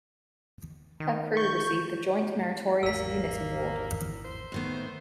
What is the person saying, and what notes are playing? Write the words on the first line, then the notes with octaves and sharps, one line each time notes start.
Her crew received the Joint Meritorious Unit Award.
D#3
C#6 G6
G#1 E2 A#3 E6 B6
C5
A2 D#3 B3